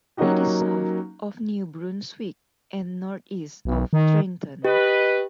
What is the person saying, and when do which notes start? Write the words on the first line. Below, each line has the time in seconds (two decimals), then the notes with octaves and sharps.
It is south of New Brunswick and northeast of Trenton.
0.17 F#3 A#3 C#4 D#4 F#4 G4
3.65 B1
3.93 D#3
4.65 G4 B4 D#5